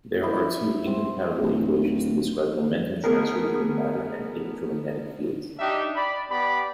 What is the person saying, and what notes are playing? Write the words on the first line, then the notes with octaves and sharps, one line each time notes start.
There are two incompatible equations to describe momentum transfer between matter and electromagnetic fields.
E4
C4
D1
A3 B3 G#4 A#4
D4 D#4 G4 E5
D5 B5
B3 G4 D5 B5